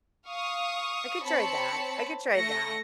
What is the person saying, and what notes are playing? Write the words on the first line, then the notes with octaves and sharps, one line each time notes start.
I could try that, I could try that.
F5 C#6 D#6
C4 C#5 A5 B5 C#7
A3 A#6 C#7